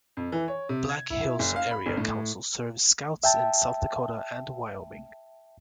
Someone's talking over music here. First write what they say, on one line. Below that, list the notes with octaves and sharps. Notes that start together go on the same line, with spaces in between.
Black Hills Area Council serves Scouts in South Dakota and Wyoming.
F2
E3
C#5
C3
G#6
E4
F#1
F5
B5
G1
A2
E5 G5 A5